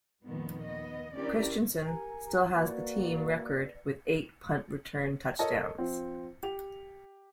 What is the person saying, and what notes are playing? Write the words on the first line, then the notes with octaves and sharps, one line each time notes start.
Christiansen still has the team record with eight punt return touchdowns.
F2 A#2 D#3 F3 G3 B3
D#2 B3 D#5
C#4 D4 E4 G4 A#4 D5
G4 A#4 G#5 A#5
A#3 F#4 B4 D5
A4 A#4 C#5 D#5 A5
F3 C4
G4 F7